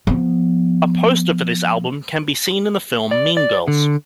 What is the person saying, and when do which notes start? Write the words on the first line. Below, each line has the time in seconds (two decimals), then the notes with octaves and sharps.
A poster for this album can be seen in the film, "Mean Girls".
0.07 F3 B3
3.11 D5
3.37 D5
3.68 D3